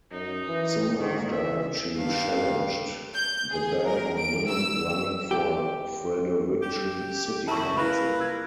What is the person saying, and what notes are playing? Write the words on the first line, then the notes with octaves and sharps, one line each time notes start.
Soon after, she challenged the ban on women running for Fredericton City Council.
F#2 D#4
E3
D3 D#3
E3 E5
G2 F5
G6
G#4
A#4
D7
E6
G4
G4
F#2 E4 A5 C#6
A#3 E4 F4 B4 B5
E6 G#6